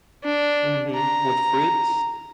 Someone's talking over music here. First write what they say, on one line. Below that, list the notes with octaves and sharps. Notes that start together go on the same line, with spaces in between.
Mhm. With fruits?
D4
A#5